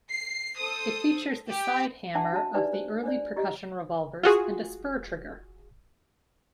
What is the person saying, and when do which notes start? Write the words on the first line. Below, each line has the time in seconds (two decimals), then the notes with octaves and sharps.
It features the side-hammer of the early percussion revolvers and a spur trigger.
0.10 C7
0.59 A4 C5 D#6
1.50 G4
2.15 D4 E5 F#5 A5
2.32 F#4 A5
2.54 D4 D#4 G4 B4 D5 E5
2.73 C5
3.03 D4 C5 D5
3.36 E4 G4 D#5
4.23 F4 F#4 G#4